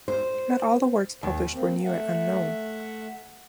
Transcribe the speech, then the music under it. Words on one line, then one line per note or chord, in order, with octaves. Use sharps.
Not all the works published were new and unknown.
C5
D#2
A#3 C4
A3 E5 F#5